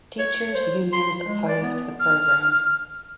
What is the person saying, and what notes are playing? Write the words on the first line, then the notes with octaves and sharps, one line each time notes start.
Teachers unions opposed the program.
C#5
C5
C6
G#3
D5
B3
F6